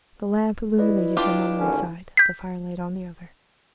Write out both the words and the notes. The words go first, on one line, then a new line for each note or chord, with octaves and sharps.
The lamp illuminated him on one side, the firelight on the other.
E4 B4 D5 D#5
D4 F4 G4
G#1 D3 C#4
G6 B6